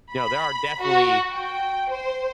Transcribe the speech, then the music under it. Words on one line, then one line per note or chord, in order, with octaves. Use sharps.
you know, there are definitely
B5
F#4
G5
C5